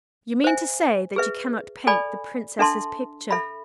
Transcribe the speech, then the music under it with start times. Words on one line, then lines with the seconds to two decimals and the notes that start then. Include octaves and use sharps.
"You mean to say that you cannot paint the Princess's picture?"
0.44 C5 E5 G#5
1.16 G#4 B4 E5
1.87 A4 D5 G#5 B5
2.59 D4 A4 E5 A5 C6
3.31 A4 E5 B5